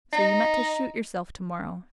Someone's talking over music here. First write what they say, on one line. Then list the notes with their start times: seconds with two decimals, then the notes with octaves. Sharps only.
So you meant to shoot yourself to-morrow!
0.13 D#4